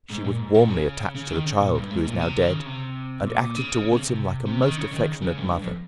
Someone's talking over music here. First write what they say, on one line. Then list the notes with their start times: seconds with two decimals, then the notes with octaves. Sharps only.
She was warmly attached to the child who is now dead and acted towards him like a most affectionate mother.
0.10 G#2
0.25 A#2
0.39 G#2
0.54 A#2
0.70 C#3
1.15 C#3
1.30 D#3
1.45 C#3
1.60 A#2
1.75 G2
1.91 G#2
2.06 A#2
2.21 C3
2.42 D#3
2.54 C#3
2.66 C3
3.26 A#2
3.56 C#3
3.92 C3
3.97 C#3
4.06 C3
4.46 C3
4.62 D#3
4.77 C#3
4.92 D#3
5.07 C#3
5.22 C#3
5.37 G2
5.62 F2